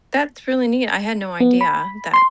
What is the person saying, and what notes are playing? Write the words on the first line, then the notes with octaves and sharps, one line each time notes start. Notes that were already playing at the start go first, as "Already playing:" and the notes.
That's really neat, I had no idea that
B3
B5
C6